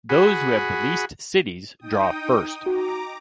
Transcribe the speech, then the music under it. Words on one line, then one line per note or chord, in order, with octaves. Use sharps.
Those who have the least cities draw first.
F#4 G#4 B5
D#4 G5 D#6
F#4 A#5 D6